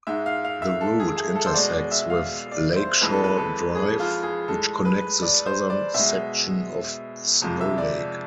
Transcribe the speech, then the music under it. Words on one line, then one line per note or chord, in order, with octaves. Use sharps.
The route intersects with Lakeshore Drive, which connects the southern section of Snow Lake.
G#2 G#3 E5
F5
F5
E5
A4
G#4
G#4
A4
C5
B2 G#3 D5
D5
E5
F5
D5
C5
F2 E3 G#3 B4
A4
B4
A4
G#4
F4
G#4
A2 G#3 A4
B4
D5
C5
D5
B2 E5
G#3
F2 C3 F3 G#3
E5
D5